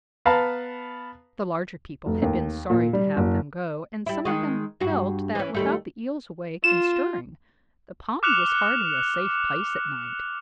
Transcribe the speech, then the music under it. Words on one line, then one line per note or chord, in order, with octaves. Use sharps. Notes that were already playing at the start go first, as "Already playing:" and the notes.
The larger people had been sorry to have them go, and some of them felt that without the Eels awake and stirring, the pond was hardly a safe place at night.
B3 B4 F5 A5 A#5
F1
D#2
A#2
G3
F#1
G3 E4
D#3 G#3
G2 F#4
E3 C#4
D#2 G3 A3
F4 E7
D6 F6 F#6 C#7 E7 F7